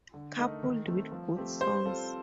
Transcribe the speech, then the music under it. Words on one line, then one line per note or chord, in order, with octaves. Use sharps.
Coupled with good songs.
D3
A3 D#4 A#4
D#3
A3 C4
F3
A3 C4 G4
G3 C5
C4 F4 A4